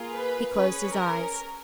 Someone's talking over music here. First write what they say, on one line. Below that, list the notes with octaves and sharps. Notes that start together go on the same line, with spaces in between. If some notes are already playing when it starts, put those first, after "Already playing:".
He closed his eyes.
Already playing: A#3 F4 G#4
B4
C#4 G#4 B4
A#4